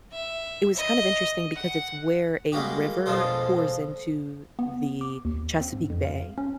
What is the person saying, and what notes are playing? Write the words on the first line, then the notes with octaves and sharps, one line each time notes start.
it was kind of interesting because it's where a river pours into the Chesapeake Bay,
E5
D#5
F#5
G3 G#3 A#3 F#4 G4
F2 B2 F3 G#3 D4 C5
B3
D6
D#2
C4
G#2
F2
F5
C#4